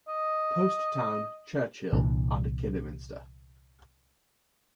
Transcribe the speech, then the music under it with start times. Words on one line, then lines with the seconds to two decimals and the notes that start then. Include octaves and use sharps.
Post Town, Churchill, under Kidderminster.
0.08 D#5
1.93 C2 A#2 E3 D4